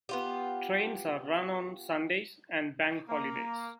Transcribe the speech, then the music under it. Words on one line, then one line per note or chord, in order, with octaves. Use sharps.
Trains are run on Sundays and bank holidays.
B3 F4 G4
A#3